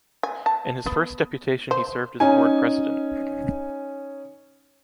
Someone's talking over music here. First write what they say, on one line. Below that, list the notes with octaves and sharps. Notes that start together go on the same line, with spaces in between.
In his first deputation he served as Board President.
G#5
A5
B3
C5
C#4 D#4 G#5